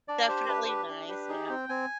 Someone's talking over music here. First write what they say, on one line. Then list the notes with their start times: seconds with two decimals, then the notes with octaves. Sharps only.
Definitely nice, yeah.
0.08 D4 D5
0.28 G4 C5
0.48 D4 B4
0.63 C5
0.68 G4 B4
0.89 D4
1.08 G4 B4
1.29 D#4 G#4
1.49 C4 G5
1.69 C4 G#5